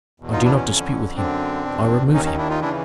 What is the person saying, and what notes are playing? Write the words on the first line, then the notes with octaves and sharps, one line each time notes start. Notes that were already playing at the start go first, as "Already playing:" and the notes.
"I do not dispute with him; I remove him."
E2 B2
D#4 F4
D4 E4
C#4
F2 D3
F#2 D3 C4 D4
E2 B2
D#2 D#3 C#4 D#4
C#4 D#4
D4 E4
D#4 F4
C#3 E3 D4 E4